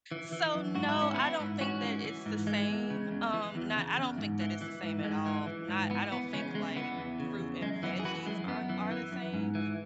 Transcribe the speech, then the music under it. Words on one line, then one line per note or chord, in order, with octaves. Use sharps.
So, no, I don't think that it's the same, um, not I don't think that it's the same at all. Not I don't think, like, fruit and veggies are are the same,
E3
E3
F#2
G#2 F#4
E4
E3 C#4
E3 B3 E4
G#2
G#2 C#4 F#4
E3
E3
G#2
E3 G#3
E2
C#3
E2
E3
E2
C#3
E2
G#2
E3
E3
G#2
G#2 G#3
E3
E3
G#2
E3 B3
E2 B3
C#3 G#3 C#4
E2 G#3
E3 B3
E2
C#3
E2
F#2 G#3
E3 B3
G#4
E3 F#4 B4
F#2 G#3
F#2 B3
E3
E3
F#2
G#2
E3